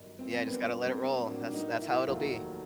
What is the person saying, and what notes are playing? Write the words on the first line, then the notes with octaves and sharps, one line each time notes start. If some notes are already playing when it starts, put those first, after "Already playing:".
Yeah, just gotta let it roll. That's that's how it'll be.
Already playing: G1 F#2 D#3
C4
C4
F#2 D3 G3 A#3 B3 C#4
C4
A2 F#3 A#3 D4
D#4
E4
F1 D#2 D#3 F#3 A3 F4